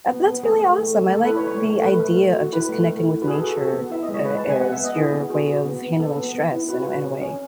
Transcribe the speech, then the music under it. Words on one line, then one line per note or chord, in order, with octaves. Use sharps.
eh, that's really awesome. I like the idea of just connecting with nature a as your way of handling stress in a in a way.
B3
B3
A3 G#4
A3
A3
A3
A3 A4
B4
E4
C#5
A3 C#5
A3
A3 B4
A3
A3
F#4
E4 B4
A3
A3
E4
F#4 B4
G#4
A4
F#4
A4
F#4 A4
B3
E4 E5
D#5
G#3
C#5
G#3 B4
A5
G#3
G#5
B3 F#5
E5
B3
D#5
E4 G#4
B3
F#4 G#4
F#4
B3
B3
B3 A4
B3
B3
E4
F#4 B4
F#4
C#4
C#4